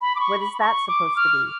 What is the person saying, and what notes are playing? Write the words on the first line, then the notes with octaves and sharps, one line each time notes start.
What is that supposed to be?
B5
D6
C#6
B5
B5
C#6
D6
F6